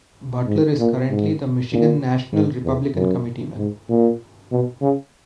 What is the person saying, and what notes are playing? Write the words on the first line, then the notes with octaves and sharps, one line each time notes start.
Butler is currently the Michigan National Republican committeeman.
G#2
A#2
G#2
A#2
G#2
E2
F#2
G#2
A#2
B2
C#3